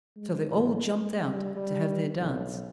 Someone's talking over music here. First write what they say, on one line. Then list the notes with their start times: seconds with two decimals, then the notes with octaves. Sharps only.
So they all jumped out to have their dance.
0.17 G#3
0.50 A1
0.86 G#3
1.27 G3
1.56 G3
2.18 B1